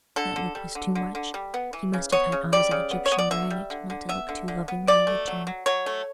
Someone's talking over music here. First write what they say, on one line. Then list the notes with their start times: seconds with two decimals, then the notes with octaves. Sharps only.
That look was too much: he must have had eyes of Egyptian granite not to look too lovingly in return.
0.16 D3 A4
0.36 D3
0.55 G3
0.75 D3
0.95 D3
1.15 D3
1.34 G3
1.54 B3
1.73 E3
1.94 C#3
2.12 B3 C#5
2.32 C#3
2.52 G3 D5
2.71 C#3
2.91 B3
3.06 C#5
3.12 B3
3.18 D5
3.31 D3 E5
3.50 G3
3.70 D3
3.90 D3
4.09 B3 E5
4.29 D3
4.48 D3
4.68 B3
4.87 B2 D5
5.07 A3
5.28 F#3
5.47 F#3
5.66 F#3 C#5
5.86 A3